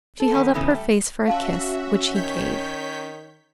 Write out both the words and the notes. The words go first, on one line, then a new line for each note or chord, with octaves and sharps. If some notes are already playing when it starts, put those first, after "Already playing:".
She held up her face for a kiss, which he gave.
A4
D#3 F3 B3
C#3 E3 A3 B3 C#4 D#4
G3 A3
C#4 F#4 E5 F5 A5 C6
D#3 C#5 G6 B6